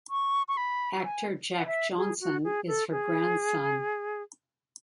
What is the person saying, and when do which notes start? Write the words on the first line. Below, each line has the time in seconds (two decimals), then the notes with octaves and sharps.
Actor Jack Johnson is her grandson.
0.10 C#6
0.48 C#6
0.57 B5
1.04 G#5
1.58 F#5
1.66 E5
1.97 G#4
2.21 F#4
2.44 G#4
2.68 A4
2.91 G#4